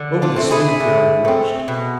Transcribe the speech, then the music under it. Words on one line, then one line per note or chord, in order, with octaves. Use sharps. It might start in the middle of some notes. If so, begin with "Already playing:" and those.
Over the smooth ground it rushed.
Already playing: D3
D4 F4
A3 C4
E4 G#4
D3
A3 C4
B2